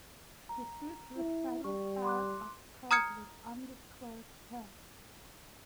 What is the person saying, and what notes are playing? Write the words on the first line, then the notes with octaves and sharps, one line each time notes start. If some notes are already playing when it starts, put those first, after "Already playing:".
The suit was settled out of court with undisclosed terms.
A#5
E4
G3 C#6
C6 D6 F#6
A#5 D#6 F6 G#6 C#7